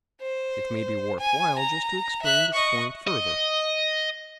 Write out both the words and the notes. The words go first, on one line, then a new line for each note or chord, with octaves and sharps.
It may be worth while just to explain this point further.
C5
G#5
A#5
E5 F#6
D#5 C#6
D#5